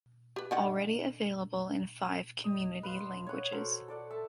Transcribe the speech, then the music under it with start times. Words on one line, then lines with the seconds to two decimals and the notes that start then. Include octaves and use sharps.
Already available in five community languages.
0.36 G4 B4
0.51 D3 D#3 F#5
2.44 D#5
2.83 B4 F5 C6
3.27 C#5 F#5
3.52 F#4 A4 A#4 C5
3.88 A4 D5 F#5
4.10 A4 E5 A5